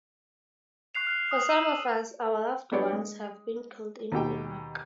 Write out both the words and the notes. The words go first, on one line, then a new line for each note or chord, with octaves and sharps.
For some of us, our loved ones have been killed in Iraq.
C#6 F#6 C7 F7
F6 F#6 C7
D#6
E6 D#7 E7 F#7
F#3 B3 D4 G4 C#5 D5
G#3
D#2 B2 G4 G5